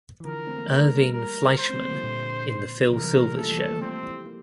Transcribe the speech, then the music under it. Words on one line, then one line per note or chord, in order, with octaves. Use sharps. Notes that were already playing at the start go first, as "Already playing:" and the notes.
Irving Fleischman in "The Phil Silvers Show".
E3
D3 F3 A#4
A3 C4
A#3
A3 A#4
G3 A#3
A#4
C5
A3 C4
G3 A#3
D3 F3
A#2 D3
C3 E3 A#4
E3 G3
G3 A#3
G3 A#3
F3 A3 A4
E3 G3
G3 A#3
F3 A3 C4
E3 G3
G3 A#3